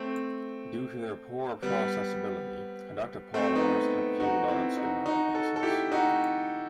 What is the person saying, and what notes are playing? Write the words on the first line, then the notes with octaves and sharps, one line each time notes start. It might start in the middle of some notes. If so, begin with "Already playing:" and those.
Due to their poor processability, conductive polymers have few large-scale applications.
Already playing: A3 C4
G3 B3
A3 C4
B3 D#4
D#4 F#4
C4 E4
D#4 F#4
D#4 F#4
F#4 A4
A4
E4 G4
D#4 F#4